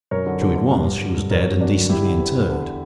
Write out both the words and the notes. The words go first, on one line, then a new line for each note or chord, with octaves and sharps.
True it was, she was dead and decently interred.
F#2 A#4 C#5
D3
D3
D3
G2
G2
D3
G2
F#2 A#4 C#5
D3
F#2 D4 F#4
D3
D3 E4 G4
D3
E2
E2
D3